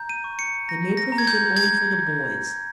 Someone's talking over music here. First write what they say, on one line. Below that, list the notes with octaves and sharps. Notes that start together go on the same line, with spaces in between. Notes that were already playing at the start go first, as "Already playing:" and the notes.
They made provision only for the boys.
Already playing: A#5 G6
D#7
C#6
C#7
A#5 A#6
A#6
A#5
G#6
G6
G6 G#6